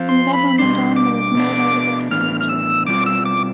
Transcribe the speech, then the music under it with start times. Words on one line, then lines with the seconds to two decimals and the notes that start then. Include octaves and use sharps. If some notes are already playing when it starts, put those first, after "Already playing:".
From that moment on, there was no doubt about her future.
Already playing: F3 C4 F4
0.09 C6
0.33 B5
0.58 B2 G3 D4 C6
0.96 D6
1.35 B2 B3 D4
2.11 A2 E3 B3 D4 F6
2.41 F6
2.49 E6
2.87 B2 G3 C4 F4 D6
3.06 E6
3.25 D6